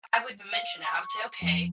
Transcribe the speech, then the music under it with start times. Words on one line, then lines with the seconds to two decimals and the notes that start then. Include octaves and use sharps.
I would mention it," I would say, "Okay,
0.53 F5
0.85 C#6
1.42 F2